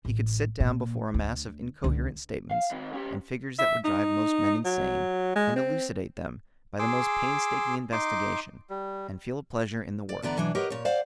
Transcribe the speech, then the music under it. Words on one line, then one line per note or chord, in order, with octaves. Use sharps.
He could sit down before a mass of incoherent statements, and figures that would drive most men insane, and elucidate them by the most painstaking investigation, and feel a pleasure in the work.
A1
A#2
D2
C#2 D3
F5
D#3 C4
C#4 G4
E5
D#4
F#3
G#3
C4
G#4 C6 D6 E6
D#4 C6 D6
G3
D5
E2 D3 B3 D5 A#5
B2 E3 F#3 D4
G4 A#4 B4 C#5 D#5 F#5
A#2 C#5
C5 D5 F5 F#5